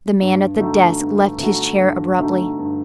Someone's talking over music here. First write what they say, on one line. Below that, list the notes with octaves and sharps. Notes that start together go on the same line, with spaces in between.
The man at the desk left his chair abruptly.
G2
D3 A3 D#4 F#4
G2
D3 A3 D#4 F#4
G2
D3 A3 D#4 F#4
G2